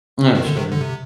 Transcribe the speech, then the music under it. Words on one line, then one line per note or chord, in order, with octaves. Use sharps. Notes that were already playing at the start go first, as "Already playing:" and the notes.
Oh, sure.
D#3
D3
C3 D#3
D3
C3